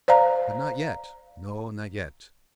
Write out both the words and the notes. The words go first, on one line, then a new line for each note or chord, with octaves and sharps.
But not yet--no, not yet.
C5 D5 F5 A#5